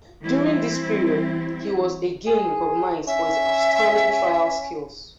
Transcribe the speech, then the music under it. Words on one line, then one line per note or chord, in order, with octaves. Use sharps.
During this period, he was again recognized for his outstanding trial skills.
E3 G3 C4 E4
G#4
C#4 E5